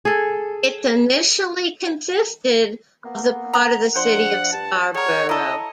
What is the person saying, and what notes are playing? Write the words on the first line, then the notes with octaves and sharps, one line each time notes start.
It initially consisted of the part of the City of Scarborough.
G#4 A4
A#3 B3 F#5
A#5
F3 D4 C5 F#5 C6
G2 A5
G3 G#4 A#4 C#5 F#5
E4 A4 D#5 A#5